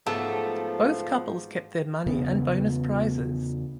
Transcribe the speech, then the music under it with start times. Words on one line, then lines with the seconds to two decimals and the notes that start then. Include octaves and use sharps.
Both couples kept their money and bonus prizes.
0.06 G#2 F3 F#3 A3 B3 A4
2.06 E2 C#3 B3